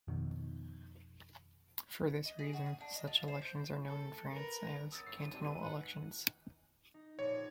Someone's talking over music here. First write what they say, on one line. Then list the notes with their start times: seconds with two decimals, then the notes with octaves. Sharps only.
For this reason, such elections are known in France as "cantonal elections".
0.08 F2 B2 D#3
2.25 D#5
2.39 G#4
2.53 F#4
2.66 D#6
2.81 D4
2.95 D#5
3.08 F4
3.28 C5
3.42 G6
3.87 A4
4.32 A#4 B4
4.92 C#3 B3 A#4 D#6 E6 A6
5.07 G1 C7
5.18 G#2 B3 D#7
5.34 C3 D4 F#4
5.46 B4
5.61 F#5
6.94 D#4
7.19 A#1 C#5